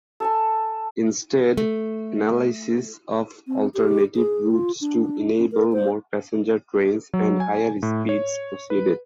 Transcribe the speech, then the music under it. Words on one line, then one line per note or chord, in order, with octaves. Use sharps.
Instead, analysis of alternative routes to enable more passenger trains and higher speeds proceeded.
A4 G#5 A5
A3
C4
G4
G#4
F4
D4
C#4
A#4
C5
F#3
G#5
A2
C#5
B4